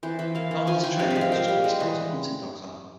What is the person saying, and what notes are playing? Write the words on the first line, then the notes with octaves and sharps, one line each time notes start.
Dolphins are trained much as police dogs and hunting dogs are.
E3 C5
E3 E5
A#3 F5
E3
F3 G#5
F3 G5
C3 F5
E5
G#3
F5
A#3 G5
G3
G#3
E3